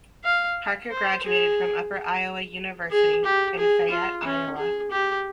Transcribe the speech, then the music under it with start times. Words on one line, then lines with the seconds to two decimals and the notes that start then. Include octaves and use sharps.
Parker graduated from Upper Iowa University in Fayette, Iowa.
0.24 F5
0.91 C5
1.24 G#4
2.91 G#4
3.25 G4
3.58 G#4
3.91 F4
4.25 C#4
4.58 G#4
4.91 G4